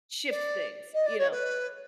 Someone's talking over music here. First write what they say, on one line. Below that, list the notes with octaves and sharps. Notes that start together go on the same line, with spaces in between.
shift things, you know,
D5
D#5
D5
C#5
B4